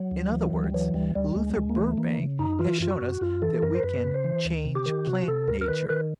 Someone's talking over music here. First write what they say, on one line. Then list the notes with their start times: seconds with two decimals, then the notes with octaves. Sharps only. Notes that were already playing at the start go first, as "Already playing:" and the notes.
In other words, Luther Burbank has shown us that we can "change plant nature."
Already playing: F#3
0.11 D2
0.32 E3
0.53 D2
0.64 G3
0.74 E3 F#3
0.94 D2 G3
1.15 D2 G3
1.35 D2 G#3
1.50 G3
1.56 D2 G#3
1.69 A#3
1.77 E3 A3
1.97 E3 A#3
2.18 C#3
2.39 F#2 D#4
2.59 E3 F4
2.80 F#2 F4
2.91 F#4
3.01 F#2
3.21 F#2 F4
3.42 E3 A4
3.62 F#2 A#4
3.75 C5
3.83 F#2 B4
4.04 C#3
4.14 C5
4.24 E3
4.45 D2
4.65 C3
4.75 G4
4.86 D#3
5.07 C3 F#4
5.28 C3 A4
5.47 D2 A#4
5.61 A#4
5.68 D#3 B4
5.89 D#3 B4